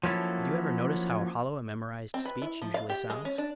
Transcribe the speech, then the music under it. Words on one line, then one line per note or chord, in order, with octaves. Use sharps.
Did you ever notice how hollow a memorized speech usually sounds?
F3 F#3 A#3 C#4 E4 A4
C4
B4
E4
F3
F5
G4
G#3
C#4
D4